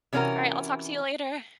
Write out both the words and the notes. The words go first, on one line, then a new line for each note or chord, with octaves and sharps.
Alright, I'll talk to you later.
C3 E3 C#4 E4 F#4 A#4